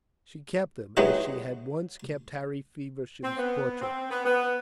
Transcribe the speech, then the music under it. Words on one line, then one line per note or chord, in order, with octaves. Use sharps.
She kept them, as she had once kept Harry Feversham's portrait.
F#3 G#3 B3 C4 E4 G4
C4
B3
C4
B3
B3